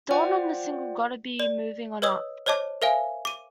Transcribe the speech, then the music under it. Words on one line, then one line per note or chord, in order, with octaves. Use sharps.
Dawn on the single "Gotta Be Movin' On Up".
F4 C5 D5 F#5 G5
D5
B4 C#5 D#5 D#6 E6
C5 C#5 D#5 A5 D6
A#4 C5 E5 F5 G#5
D6 D#7